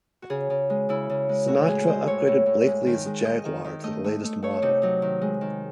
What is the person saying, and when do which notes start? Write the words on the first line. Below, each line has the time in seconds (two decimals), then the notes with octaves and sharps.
Sinatra upgraded Blakeley's Jaguar to the latest model.
0.22 F#4
0.30 C#3 G#4
0.50 C#3
0.70 G#3
0.89 C#3 E4
1.10 C#3
1.29 G#3
1.47 A2 F#4
1.68 G#3 G#4
1.87 G#3 C5
2.07 A2 C#5
2.27 A2
2.46 A2
2.66 G#3
2.86 D#3
3.06 G#3
3.25 D#3 D#5
3.45 D#3
3.64 D#3
3.83 A3 D#5
4.04 A3
4.24 A3
4.42 A3 C#5
4.62 C3 D#4
4.82 F#3 D#4
5.02 D#3
5.22 G#3
5.41 D#3